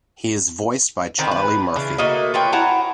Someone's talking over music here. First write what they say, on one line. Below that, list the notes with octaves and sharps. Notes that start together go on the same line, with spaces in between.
He is voiced by Charlie Murphy.
D3 D#3 C4 B4
B4
C#3 E3 D4
A3 A#3 F#4 D#5
F4 B4 C#5 G5
E4 F#5 A5 A#5